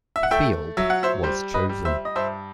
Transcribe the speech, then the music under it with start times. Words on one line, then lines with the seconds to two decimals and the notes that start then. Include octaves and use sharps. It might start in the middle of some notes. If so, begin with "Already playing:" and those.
Field was chosen.
0.16 E5
0.23 F#5
0.31 A3 E5 G5
0.77 F#3 E5
0.90 F#5
1.03 C5 E5
1.23 G3 C5
1.54 B4 D#5
1.69 G3
1.85 C5 E5
2.05 D#5
2.16 G2 C5 E5